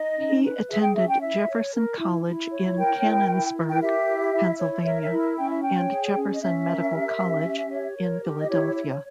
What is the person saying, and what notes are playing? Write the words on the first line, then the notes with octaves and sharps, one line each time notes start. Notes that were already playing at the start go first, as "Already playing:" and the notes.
He attended Jefferson College in Canonsburg, Pennsylvania, and Jefferson Medical College in Philadelphia.
Already playing: D#4 D#5
C#4
B4
G#4 E5
G5
C#4 E5
G5
E4 E5
C#5
A#4
E4
E4
C#5
A#4 G5
E4
E4
A#4
G5
G4 E5
E4
E4
C#5
A#4 E5
E5
E4
E5
C#4 G5
E5
C#5 G5
G#4
C#4
D#5
C#4 E5
A#4
G4
C#4
G4
C#5
A#4
G4
D#5
E4 C#5
C#5